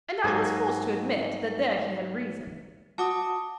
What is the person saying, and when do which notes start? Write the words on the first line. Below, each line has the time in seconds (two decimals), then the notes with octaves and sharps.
And I was forced to admit that there he had reason.
0.24 G#2 F#3 A#3 D#5 G#5
2.98 F#4 A5 D6 D#6